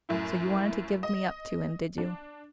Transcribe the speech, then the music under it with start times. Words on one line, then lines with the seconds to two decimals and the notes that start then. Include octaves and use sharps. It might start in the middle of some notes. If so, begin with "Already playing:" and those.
So you wanted to give me up to him, did you?
0.09 F#2 A2 E4
1.03 D#5
1.98 D4